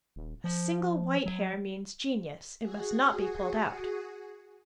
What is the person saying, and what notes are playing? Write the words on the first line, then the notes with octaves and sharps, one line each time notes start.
A single white hair means genius; it must not be pulled out.
D#1
F3
F#3
F#4 G#4